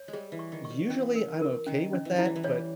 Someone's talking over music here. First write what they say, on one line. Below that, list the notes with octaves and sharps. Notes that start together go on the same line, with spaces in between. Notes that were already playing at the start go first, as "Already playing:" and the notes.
Usually I'm okay with that but,
Already playing: C#5
G#3
G3 G#4
E3
C#6
D#3
C#6
G3
E3 C#4
A#4
A#4
D#3 C#4
C#4
E3
G3 E4
E3
E3
G3 C#5